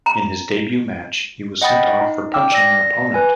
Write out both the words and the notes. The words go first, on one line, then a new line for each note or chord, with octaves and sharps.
In his debut match he was sent off for punching an opponent.
A#5
D#5 F#5 G5 B5 D#6 A6
D#4
G5 D6 E6 F6
D5 E6 A#6
B4 G#5